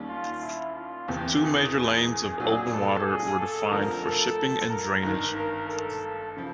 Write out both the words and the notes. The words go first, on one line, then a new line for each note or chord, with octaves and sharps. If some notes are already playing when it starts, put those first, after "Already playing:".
Two major lanes of open water were defined for shipping and drainage.
Already playing: D#2 D#3 G3 A#3 C#4
F4
E4
F4
E1 E2 C3 G4
G#4
A#2 F#3 A#3 D4
A4
G#4
A4
F1 F2 D3 F3 A#4
A4
A#4
G#1 G2 D#3
A#4
A4
C#3 F3